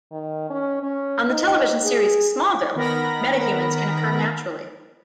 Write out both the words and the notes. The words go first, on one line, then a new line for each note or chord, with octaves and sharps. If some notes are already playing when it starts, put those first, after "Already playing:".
On the television series "Smallville", metahumans can occur naturally.
D#3
C#4
C#4
D#4
G#4
D#3 B3 A#4 B5 A#6